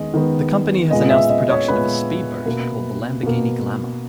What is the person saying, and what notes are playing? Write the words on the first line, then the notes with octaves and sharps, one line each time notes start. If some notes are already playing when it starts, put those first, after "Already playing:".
The company has announced the production of a speedboat called the Lamborghini Glamour.
Already playing: D#3 G#3 B3 D#5
D#3 G#3 B3
A#2 G#3 B3 D#5
E5
D#5
C#5
A#2 G#3 B3 B4
B2 A#3
B2 A#3